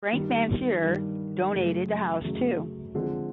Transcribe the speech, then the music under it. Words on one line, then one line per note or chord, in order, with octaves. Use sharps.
Frank Mansur donated the house to.
G2 D#3 G3
G2 D#3 G3
F#2 C#3 F#3 A3
F#2 C#3 F#3 A3
D3 F3 G#3 C4